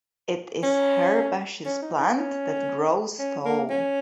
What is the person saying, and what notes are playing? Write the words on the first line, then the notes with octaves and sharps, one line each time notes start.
It is herbaceous plant that grows tall.
C#4
C#4
D#4
D#4
C#4
C#4
A#3
C#4